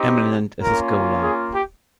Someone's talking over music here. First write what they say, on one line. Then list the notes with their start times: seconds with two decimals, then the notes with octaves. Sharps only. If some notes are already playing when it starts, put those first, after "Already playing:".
Eminent as a Scholar.
Already playing: C4 D#4 G4
0.62 A#3 C#4 F4 A#4
1.22 G#4
1.54 G4